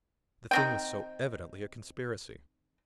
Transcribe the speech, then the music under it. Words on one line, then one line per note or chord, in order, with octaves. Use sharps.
The thing was so evidently a conspiracy.
D#3 C4 G5